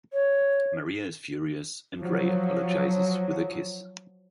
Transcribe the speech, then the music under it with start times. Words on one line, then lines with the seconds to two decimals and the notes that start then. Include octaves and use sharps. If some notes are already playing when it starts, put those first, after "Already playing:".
Maria is furious and Ray apologizes with a kiss.
0.13 C#5
1.99 F3 F#3